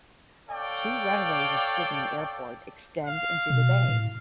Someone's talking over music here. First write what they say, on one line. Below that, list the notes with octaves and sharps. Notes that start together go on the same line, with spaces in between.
Two runways of Sydney Airport extend into the bay.
A4 C#5 D5 F5 G5
F5
B2
A2